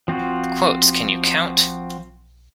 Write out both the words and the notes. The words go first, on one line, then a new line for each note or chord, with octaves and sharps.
The quotes, can you count?
F3 C4 F4 F#4